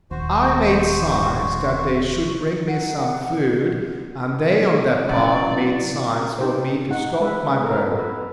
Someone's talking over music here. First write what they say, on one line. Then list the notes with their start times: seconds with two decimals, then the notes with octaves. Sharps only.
I made signs that they should bring me some food, and they on their part made signs for me to stop my boat.
0.11 D#1 D#2 F#4 C5 C#6
2.68 A#4 F#5
5.09 C#3 E3 F#3 B3 D5
6.12 A#4
6.38 D#4 G4 C5
6.90 D#4 F#5
7.21 G#3 B4 E5
7.62 B3 A4 A#4
7.99 B4